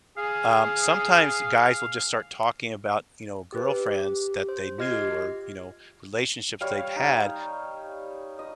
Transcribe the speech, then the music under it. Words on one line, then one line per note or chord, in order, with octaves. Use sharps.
Um, sometimes guys will just start talking about, you know, girlfriends that they knew or, you know, relationships they've had
G#4 F5
G4 B4
G4
C5
F4 G4 D#5 F6 G#6 C7
G3 C#5 F5
D#4
D#5